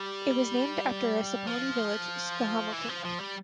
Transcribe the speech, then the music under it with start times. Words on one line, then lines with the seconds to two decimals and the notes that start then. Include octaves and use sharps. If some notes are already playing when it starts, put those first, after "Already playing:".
It was named after a Saponi village, Schahamokink.
Already playing: G3
1.47 F3
2.73 E3
2.89 F3
3.05 F3
3.21 G3